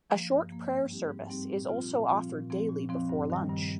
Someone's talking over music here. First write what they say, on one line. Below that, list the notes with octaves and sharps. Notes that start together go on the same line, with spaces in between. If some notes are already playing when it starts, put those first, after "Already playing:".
A short prayer service is also offered daily before lunch.
F3 A#3
G2
F3 A#3
G#2
G3 C4 D#4 G4
G#2
G3 C4 D#4 G4
A#2
F3 C4 F4
A#2
F3 C4 F4
A#2
F3 C4
A#2
F3 C4
G2
D#3 G3
G2